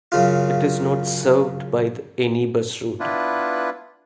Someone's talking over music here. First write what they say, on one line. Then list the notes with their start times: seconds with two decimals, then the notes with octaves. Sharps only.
It is not served by any bus route.
0.12 F#2 C#3 F4
3.00 B3 D4 E4 F4 B4